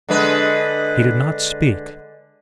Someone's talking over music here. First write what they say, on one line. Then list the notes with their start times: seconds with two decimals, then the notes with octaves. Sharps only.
He did not speak.
0.09 D3 G#3 B4